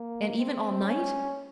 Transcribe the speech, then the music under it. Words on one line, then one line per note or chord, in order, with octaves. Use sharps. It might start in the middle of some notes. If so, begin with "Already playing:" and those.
"And even all night?"
Already playing: A#3
C4
C#4